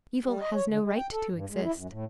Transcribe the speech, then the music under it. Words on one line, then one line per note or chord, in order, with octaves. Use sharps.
Evil has no right to exist.
G3
D#5
C#5
D3
G#3
G5
A4
G2
G#3
E4
F#2
A2